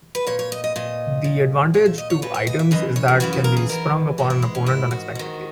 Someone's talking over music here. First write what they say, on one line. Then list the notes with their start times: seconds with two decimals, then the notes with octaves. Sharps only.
The advantage to Items is that can be sprung upon an opponent unexpectedly.
0.15 B4
0.27 A#2 C#5
0.39 C#5
0.52 D#5
0.64 D#5
0.76 A#2 D#5
1.24 A#2
1.74 A#2 C#5
1.86 E5
1.98 D#5
2.10 C#5
2.22 A#2 B4
2.34 C#5
2.47 D#5
2.59 E5
2.71 F#2 C#3 E3 D#5
2.96 C#5
3.08 G#4
3.20 F#2 C#3 E3 F#4
3.33 F#4
3.44 A#4
3.57 G#4
3.69 G#2 E3 A#4
4.18 G#2 E3 F#4
4.30 E4
4.42 G#3
4.55 C#4
4.66 G#2 D#3 E4
4.91 F#4
5.15 G#2 D#3